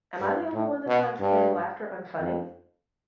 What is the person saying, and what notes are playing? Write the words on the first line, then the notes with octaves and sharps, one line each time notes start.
Am I the only one that finds canned laughter unfunny?
G2
A2
B2
G2
F2